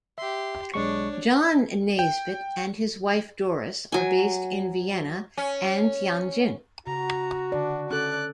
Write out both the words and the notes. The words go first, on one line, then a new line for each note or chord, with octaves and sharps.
John Naisbitt and his wife Doris are based in Vienna and Tianjin.
G4 E5 C6
B1 G#3 D4 C#5 C#6
G5
F#3 G#5
C#4
C#3 F#4 A#5
D3 D4 D5
C#4 A4 D5 F#6